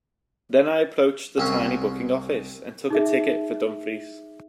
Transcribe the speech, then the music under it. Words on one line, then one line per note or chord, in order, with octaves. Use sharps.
Then I approached the tiny booking-office and took a ticket for Dumfries.
C2 C4 C#4
D#4 G#4 E5